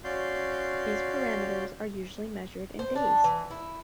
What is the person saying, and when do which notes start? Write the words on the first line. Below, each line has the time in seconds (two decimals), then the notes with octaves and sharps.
These parameters are usually measured in days.
0.04 C#4 F#4 D5 F5 C6 G6
2.79 C5
2.95 D4
3.24 E3
3.51 E4